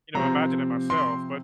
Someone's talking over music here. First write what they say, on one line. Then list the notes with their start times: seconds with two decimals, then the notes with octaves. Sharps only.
you know, imagine it myself, but
0.14 C3 F3 C4 A#5
0.90 C6